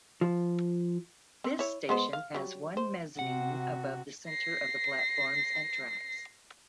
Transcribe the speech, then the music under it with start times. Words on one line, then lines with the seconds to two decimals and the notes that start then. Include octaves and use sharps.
This station has one mezzanine above the center of the platforms and tracks.
0.21 F3
1.44 C4
1.59 E4 C#5
1.89 G#3 B3 C5
2.13 F5
2.35 F#3 G3
2.77 C5
3.19 C3 F#4 F#5
4.28 A#6 C7